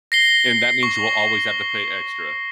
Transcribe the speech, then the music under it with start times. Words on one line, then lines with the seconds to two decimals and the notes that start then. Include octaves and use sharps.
and that means you will always have to pay extra.
0.12 A#6 C7 G7
0.83 C#6